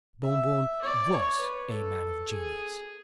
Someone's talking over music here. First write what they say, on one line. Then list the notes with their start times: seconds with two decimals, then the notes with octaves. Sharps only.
Bon-Bon was a man of genius.
0.23 E5
0.81 D5
1.11 C#5
1.41 B4
1.71 A4
2.29 G#4